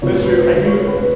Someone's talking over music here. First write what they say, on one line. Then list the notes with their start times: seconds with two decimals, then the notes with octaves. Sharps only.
That's true. I do
0.02 F1 F2 F3 C#5
0.23 B4
0.45 B4
0.66 C#5
0.87 B4